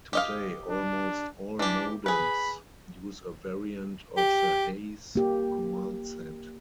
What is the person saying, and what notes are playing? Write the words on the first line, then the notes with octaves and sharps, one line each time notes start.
Today almost all modems use a variant of the Hayes command set.
G4 D#5 F5
D4
E3 D4 G4
G#4 B4 B5
G4
A#3 G4